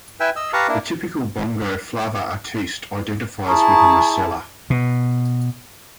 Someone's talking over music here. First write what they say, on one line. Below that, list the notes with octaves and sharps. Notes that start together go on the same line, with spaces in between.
The typical Bongo flava artiste identifies with the "mselah".
E4 B4 E5 G5 G#5
D#5 E6
G4 B4 F5 A5 A#5 C#6
A#3 D4 E4
E4 G#4 A5 A#5 C#6 D#6
B2